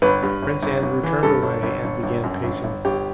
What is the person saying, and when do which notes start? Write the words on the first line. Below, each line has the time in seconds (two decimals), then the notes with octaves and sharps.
Prince Andrew turned away and began pacing the room.
0.02 G1 B4
0.22 G2
0.42 G1
0.63 G1
0.83 G1
1.03 E3
1.23 G2 A4
1.43 G1
1.63 G1
1.84 G1
2.03 G1
2.24 F#2
2.44 G1
2.64 G1
2.85 G1 G4